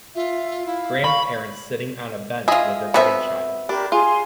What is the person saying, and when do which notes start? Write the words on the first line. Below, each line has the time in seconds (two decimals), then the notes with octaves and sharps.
Grandparents sitting on a bench with their grandchild.
0.15 F4 E5
0.66 E4 F5
1.04 B5 C#6
2.48 F4 G#4 D#5 E5
2.94 B2 B3 C4 E5
3.69 D4 G4 A#4 B5
3.92 F4 G#4 G#5 C6